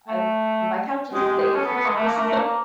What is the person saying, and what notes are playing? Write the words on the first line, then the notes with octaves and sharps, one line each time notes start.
I've my couch is safe, so
A3
G#3 G4
G#3
G#3
C#4 A4
B3
B3
G#3
A3 A#4
A#3
A3
A3
A#3